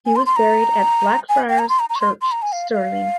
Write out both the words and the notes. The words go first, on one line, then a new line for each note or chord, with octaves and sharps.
He was buried at Blackfriars' Church, Stirling.
G#5
C6
C6
A#5
G#5
G5
A#5
C6
A#5
A#5
C#6
C6
C6
A#5
G#5
F5
F5